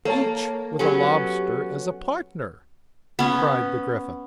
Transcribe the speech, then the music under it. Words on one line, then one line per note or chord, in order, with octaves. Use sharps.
'Each with a lobster as a partner!' cried the Gryphon.
A#3 A4 C#5 A5
F#3 B3 C#4 G4 A4
B3 C#4